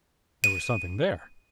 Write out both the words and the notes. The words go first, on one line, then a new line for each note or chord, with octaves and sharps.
There was something there.
D#7